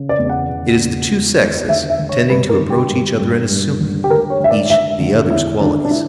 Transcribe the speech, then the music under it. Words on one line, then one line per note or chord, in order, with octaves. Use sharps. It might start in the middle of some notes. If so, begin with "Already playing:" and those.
It is the two sexes tending to approach each other and assuming, each the other's qualities.
Already playing: C#3
D5
E2
F#5
C#3
E2
E2
E2
D3 E5
E5
D3
C#5
G2 B4
A#4
D3
G4
G2
G2
G2
D3
G4
D3 A#4
C#5
D3 E5
D5
D3 E5
D3
E2 E4
D3 D4
D4
E4